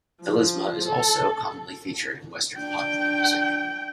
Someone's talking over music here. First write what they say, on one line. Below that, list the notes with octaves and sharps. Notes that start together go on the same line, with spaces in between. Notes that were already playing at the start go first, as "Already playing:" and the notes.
Melisma is also commonly featured in Western popular music.
F3
A4
D4 G5